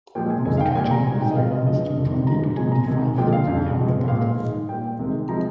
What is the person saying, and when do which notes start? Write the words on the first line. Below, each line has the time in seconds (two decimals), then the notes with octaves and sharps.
Most catchers of his era stood twenty to twenty-five feet behind the batter.
0.15 A#2 F3 G#3 G5
0.30 G#5
0.45 F2 D#3 G#3 G#5
0.57 F5
0.61 G5
0.72 G5
0.75 A#2 G3 G#5
0.91 A#5
1.05 G3 G#5
1.10 G#2
1.21 G5
1.31 D#5
1.36 C3 F3 G#3 F5
1.51 D#5
1.66 G2 F3 G#3 D#5
1.97 F2 D#3 G3
2.27 G2 F3 G#3 A#5
2.56 A#2 F3 G#3 G#5
2.72 A#5
2.87 C3 D#3 G#3 G#5
3.18 A#2 F3 G#3 G5
3.33 F5
3.47 F2 C#3 G3
3.77 C3 F3 G#3
4.08 A#2 G#3 F5
4.38 G#2 D#3 G#3
4.69 A#2 G3 G5
4.99 C3 D#3 G#3
5.29 C3 F3 G#3 A#5